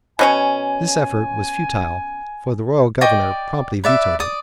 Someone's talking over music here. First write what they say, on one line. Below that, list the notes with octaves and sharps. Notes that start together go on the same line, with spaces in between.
This effort was futile, for the royal governor promptly vetoed it.
B2 C#4 C#5 G#5
D5 D#5 G5 C#6
B4 D5 E5
D5 D#6